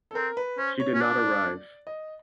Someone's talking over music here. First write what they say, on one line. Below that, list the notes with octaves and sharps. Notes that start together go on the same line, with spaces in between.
She did not arrive.
A4
C4 A#4
B4
C#4 C5
C#5
C#4
D4 D5
D#5